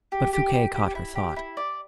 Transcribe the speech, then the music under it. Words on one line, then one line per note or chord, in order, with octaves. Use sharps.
But Fouquet caught her thought.
G4
G4
G4
G4
E4
G4
E4
D5